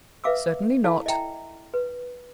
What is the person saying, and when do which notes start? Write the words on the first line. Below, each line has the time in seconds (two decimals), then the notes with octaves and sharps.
"Certainly not."
0.24 B4 E5 F5 D6 E6
0.84 E4 A4 D5 F5 A5
1.06 D#5 E5 G5 A#5
1.74 B4